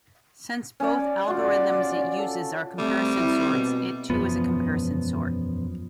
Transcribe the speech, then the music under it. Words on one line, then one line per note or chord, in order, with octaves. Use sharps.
Since both algorithms it uses are comparison sorts, it too is a comparison sort.
C#4 D5
F4 F#4 D5
A4
G3 A3 C4
E4
B2
E1 F#2 F3 B3